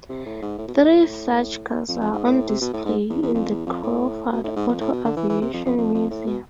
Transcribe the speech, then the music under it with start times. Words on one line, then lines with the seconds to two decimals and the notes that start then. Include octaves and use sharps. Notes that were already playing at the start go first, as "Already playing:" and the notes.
Three such cars are on display in the Crawford Auto-Aviation Museum.
0.09 C3
0.26 A2
0.42 G#2
0.58 A2
0.68 B2
0.74 A2
1.88 F2
2.00 F2
2.13 G#2
2.24 A2
2.49 C3
2.61 B2
2.74 A2
2.85 G#2
3.10 E2
3.22 E2
3.35 F2
3.50 E2
3.67 F2
3.83 A2
4.32 B2
4.44 A2
4.56 G#2
4.68 F2
4.80 A2
4.92 B2
5.04 D3
5.16 E3
5.29 E3
5.41 C3
5.53 F2
5.66 F2
5.77 F2
5.94 F2
6.10 A2
6.27 B2